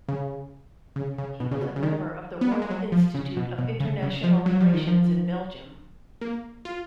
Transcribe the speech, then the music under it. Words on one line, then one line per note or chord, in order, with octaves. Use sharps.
He was a member of the Royal Institute of International Relations in Belgium.
C#3
C#3
C#3
B2
C#3
B2
C#3
D#3
B3
A#3
G#3
F#3
F3
C#3
B2
B2
C#3
C#3
F3
F#3
F3
D#3
F3
A#3
F4